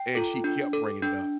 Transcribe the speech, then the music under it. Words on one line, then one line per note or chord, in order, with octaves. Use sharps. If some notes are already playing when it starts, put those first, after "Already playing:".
and she kept bringing it up.
Already playing: G5
F4 A4
D4
A4
D4